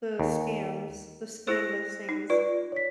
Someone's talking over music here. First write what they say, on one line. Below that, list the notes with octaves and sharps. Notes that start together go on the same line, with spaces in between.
the scams, the scam listings,
D#2
E4 G#4 C5 F#6 A#6
D#4
F4 B4 D5
C#5 B6